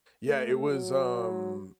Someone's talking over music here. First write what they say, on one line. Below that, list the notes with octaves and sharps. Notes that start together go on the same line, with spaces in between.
Yeah, it was, um
A3
F#3